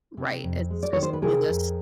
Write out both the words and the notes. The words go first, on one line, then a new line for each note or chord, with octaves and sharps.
Right. It's just, "Do this"
C3
F2
G#3
D5
D#3 C#5
C5
B4
C3 G#4 A#4
F2